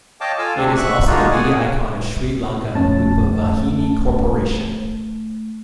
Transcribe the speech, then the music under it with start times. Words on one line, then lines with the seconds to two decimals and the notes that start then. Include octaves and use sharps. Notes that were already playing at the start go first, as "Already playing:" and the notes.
It is also the media icon of Sri Lanka Rupavahini Corporation.
0.21 C#5 D#5 F5 G5 A5 D6
0.38 F4 A4 F5 G#5 E6
0.56 D2 C3 C4 D4
0.77 E5 C#6 F#6
1.06 G#3 A#3 D4 D#4 F4 F#4
1.31 F#4 G#4 F#5 G#5
2.75 F2 A3 C#4 A5